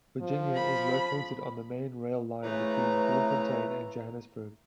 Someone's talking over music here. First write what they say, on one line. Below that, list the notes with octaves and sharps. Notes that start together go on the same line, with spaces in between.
Virginia is located on the main rail line between Bloemfontein and Johannesburg.
F3
B5
C#3 E3 A3 B4 A#5